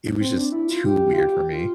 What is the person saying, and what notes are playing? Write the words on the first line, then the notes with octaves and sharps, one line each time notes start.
it was just too weird for me.
C4
D4
E4
F4
G4
F4
G4
F4